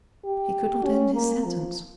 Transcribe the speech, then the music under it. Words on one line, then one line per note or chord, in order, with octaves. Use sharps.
He could not end his sentence.
G4
C#4
A#3
F3